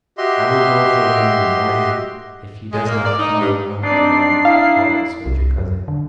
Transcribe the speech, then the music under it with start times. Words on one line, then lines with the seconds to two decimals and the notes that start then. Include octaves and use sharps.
"I will go for him in the morning, if he does not come home to-night," called the soldier cousin.
0.18 F#4 G4 D#5 E5 C6
2.72 G#3
2.88 A#3
3.05 D5
3.18 D#4
3.39 G2
3.83 C4 D4 D#4 D5 C7
4.45 E4 F5
5.26 C2
5.58 F#2
5.88 D3